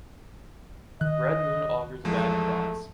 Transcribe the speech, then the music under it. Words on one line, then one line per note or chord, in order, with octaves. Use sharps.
Red moon augurs bad crops.
D#3 D#5 F#6
E2 F3 G#3 A3